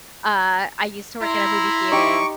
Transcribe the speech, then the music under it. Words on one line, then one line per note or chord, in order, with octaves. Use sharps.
uh, I used to work in a movie theater,
E4 A#5 C6
D#4 G4 C#6 D6